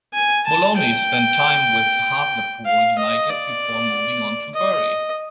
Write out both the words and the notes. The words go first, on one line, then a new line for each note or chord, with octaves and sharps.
Moloney spent time with Hartlepool United before moving on to Bury.
G#5
A5
G5
F5
D#5
D5
D#5